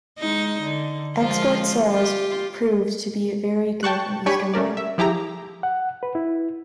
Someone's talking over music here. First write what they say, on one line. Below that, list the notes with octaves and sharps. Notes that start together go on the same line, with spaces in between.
Export sales proved to be very good in Eastern Europe.
G#3 D#4
D3
F3 G#3 F4
F4 G4
G5 A5 C#6 F#6
D4 G4 C#5 G#5 B5 C#6
A3 C#4 A#4 D5
E5
F3 E4 G4 G#4 A#5
F#5
B4
E4